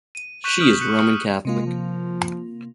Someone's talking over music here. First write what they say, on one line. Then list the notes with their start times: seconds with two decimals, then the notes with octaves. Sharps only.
She is Roman Catholic.
0.15 D#7
0.44 C#6 F#6 G6 B6 D#7 E7
0.58 D#6 F6 G6 B6 F#7
0.81 F#6 C#7
1.45 C3 G#3 A#3 F4
1.66 F3